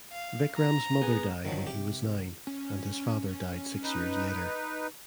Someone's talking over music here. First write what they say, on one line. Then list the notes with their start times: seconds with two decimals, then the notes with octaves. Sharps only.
Vikram’s mother died when he was nine and his father died six years later.
0.12 F5
0.58 A#5
1.02 B3 G#4
1.45 D3 D#3 F3 F#3
1.67 C3 G4
2.47 C#4
3.83 D#4 B4